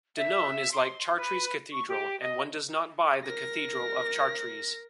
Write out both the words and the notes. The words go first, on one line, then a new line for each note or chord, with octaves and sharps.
Danone is like Chartres cathedral, and one does not buy the cathedral of Chartres.
E5
C6
B4
C#6
G4
D#5
A#4 A#6